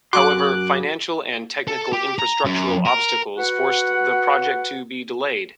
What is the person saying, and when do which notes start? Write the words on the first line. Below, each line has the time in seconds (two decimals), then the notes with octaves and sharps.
However financial and technical infrastructural obstacles forced the project to be delayed.
0.13 F#2 F#4 C6 D6 F#6
1.68 A4
1.93 G4
2.19 A#5
2.45 F#2
2.86 A#4
3.38 F#4 B4 F#5